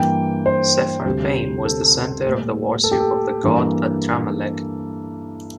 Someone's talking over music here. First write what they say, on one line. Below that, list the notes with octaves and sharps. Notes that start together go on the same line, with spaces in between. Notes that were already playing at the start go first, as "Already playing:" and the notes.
Sepharvaim was the center of the worship of the god Adramelech.
Already playing: G2 E3 A#3 G5
C5
D2 C3 G3
A4
A2 G3 A#3
A4
G4
A4
G2 E3 A#3